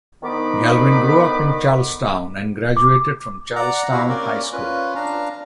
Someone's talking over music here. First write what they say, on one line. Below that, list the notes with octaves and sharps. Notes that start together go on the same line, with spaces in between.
Galvin grew up in Charlestown and graduated from Charlestown High School.
D2 D#3 B3 D#4 B5 D6
D6
D5 F#5 A#5
C4 E4 F#4 G4 F5
A#3 C#4 A#4 D5
C#4 F4 B4
D4 F5 A#5